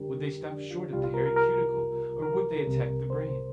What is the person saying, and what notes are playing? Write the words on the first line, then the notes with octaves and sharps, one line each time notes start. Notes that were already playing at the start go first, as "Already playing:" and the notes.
Would they stop short at the hairy cuticle, or would they attack the brain?
Already playing: F2 D3 G3 D4 G4 A#4
D4
F4
C2 C3 G3 F4
F4
A#4
A#4
A#4
A#4
C2 C3 G3
C5